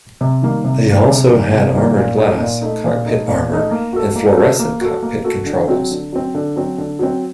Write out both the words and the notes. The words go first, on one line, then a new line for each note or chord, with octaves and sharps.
They also had armored glass, cockpit armor and fluorescent cockpit controls.
C3
D#3 G3 A#3
C3
D#3 G3 A#3
C3
D#3 G3 A#3
C3
D#3 G3 A#3
A#2
A3 D#4
A#2
A3 D#4
A#2
A3 D#4
A#2
A3 D#4
A#3
F#4 A4
A#3
F#4 A4
A#3
F#4 A4
A#3
F#4 A4
D3
F#3 C4
D3
F#3 C4
D3
F#3 C4
D3
F#3 C4